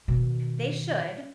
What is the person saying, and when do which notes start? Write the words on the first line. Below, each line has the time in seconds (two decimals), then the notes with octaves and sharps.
They should,
0.08 B2 D#3